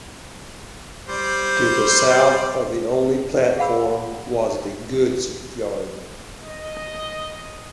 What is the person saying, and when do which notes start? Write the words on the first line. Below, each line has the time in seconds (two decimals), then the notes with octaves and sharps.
To the south of the only platform was the goods yard.
1.09 G3 C5 D5
3.58 G#4 F5 F#5 B5 E6
6.43 D#5